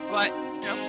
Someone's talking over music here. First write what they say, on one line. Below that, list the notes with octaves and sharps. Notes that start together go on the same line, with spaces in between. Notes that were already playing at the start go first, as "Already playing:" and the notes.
but, you know,
Already playing: C4 D#4
F#4
D#4
D#4
G#3 C4